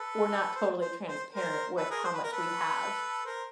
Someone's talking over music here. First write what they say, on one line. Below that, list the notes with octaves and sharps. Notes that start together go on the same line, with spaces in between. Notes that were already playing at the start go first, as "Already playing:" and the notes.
we're not totally transparent with how much we have.
Already playing: A4 B4
C5
C5
C5
A#4 C5
A4 B4
G#4 A#4
C5
B4
A#4
A4 B4
A#4 C5